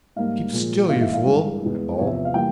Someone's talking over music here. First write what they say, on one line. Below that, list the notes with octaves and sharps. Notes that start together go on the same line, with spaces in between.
"Keep still, you fool!" I bawled.
G#2 G3 A#3 F5
A#2 F3 G#3
G#2 E3 A#3 F5
E5
F5
G2 E3 G#3
E2 E3 G#3
E2 C3 F3 C#5
E5
F5
E3 G3 A#3 G5